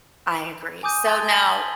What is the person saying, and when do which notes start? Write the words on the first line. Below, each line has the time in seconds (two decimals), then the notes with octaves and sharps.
I agree. So now,
0.83 G#5 D6 D#6 G6 D#7
1.07 A5 C6 G#6 A6 G7
1.28 G#5 A5 A#6 B6 G7
1.46 F#7